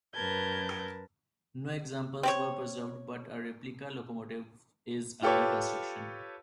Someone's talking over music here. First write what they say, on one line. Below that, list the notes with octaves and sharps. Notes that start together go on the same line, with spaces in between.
No examples were preserved but a replica locomotive is under construction.
F#2 A#4 B4 A5 G6 G#6
C4 G4 C#5
F4 G4 A4 B4 C#5